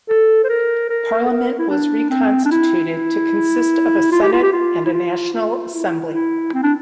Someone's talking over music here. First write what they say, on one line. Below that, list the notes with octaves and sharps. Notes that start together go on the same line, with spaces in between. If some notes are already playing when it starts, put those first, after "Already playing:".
Parliament was reconstituted to consist of a Senate and a National Assembly.
A4
C5
A#4
A#4
A4
A#4
E4
D4
C4
D4
E4
F4
G4
F4
G4
F4
E4
F4
F4
E4
E4
C4
D4